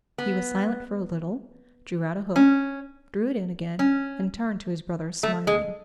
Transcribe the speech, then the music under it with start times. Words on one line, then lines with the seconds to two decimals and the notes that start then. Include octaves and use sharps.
He was silent for a little, drew out a hook, threw it in again, and turned to his brother smiling.
0.18 B3
2.36 C#4
3.79 C#4
5.23 A3
5.47 G#3